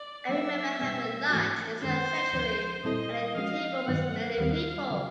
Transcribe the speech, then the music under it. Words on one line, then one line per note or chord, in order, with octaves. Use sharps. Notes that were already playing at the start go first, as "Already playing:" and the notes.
I remember having lunch inside the sanctuary, and a table with many people.
Already playing: D5
F#3 A#3 C#4 E5
B2 G3 B3
G#2 E3 A3 C#4 F#4
F#2 D#3 G#3 C#4 C5
D2 D3 F3
A#2 G3 C4 E4 A4 D#5
F3 G#3 C#4 F#4 F5
G2 D#3 F#3 B3 F#5
D#2 D#3 G3 C4 F5
C#3 F#3